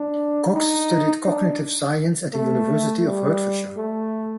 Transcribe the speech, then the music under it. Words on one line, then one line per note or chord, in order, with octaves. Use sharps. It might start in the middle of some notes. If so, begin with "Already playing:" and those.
Cox studied cognitive science at the University of Hertfordshire.
Already playing: D4
D#4
D4
A3
G3
A3